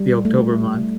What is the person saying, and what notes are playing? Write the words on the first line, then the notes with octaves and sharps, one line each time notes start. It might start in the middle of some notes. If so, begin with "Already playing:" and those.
the October month,
Already playing: G3
A3